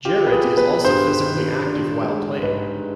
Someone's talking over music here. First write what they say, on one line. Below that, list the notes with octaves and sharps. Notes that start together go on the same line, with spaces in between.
Jarrett is also physically active while playing.
F4 G4
B4
G#4
B3
B4
G2 C5
D#3
D4
G#3
G#2 B4